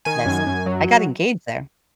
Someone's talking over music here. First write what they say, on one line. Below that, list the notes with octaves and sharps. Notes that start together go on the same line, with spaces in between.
Yes, I got engaged there.
D#3 G#5
F#2
F#2
F#3